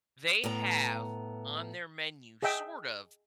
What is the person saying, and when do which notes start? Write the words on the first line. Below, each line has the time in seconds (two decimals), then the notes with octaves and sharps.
They have, on their menu, sort of,
0.44 A2 B3 A#5
2.43 G#4 D#5 E5 G5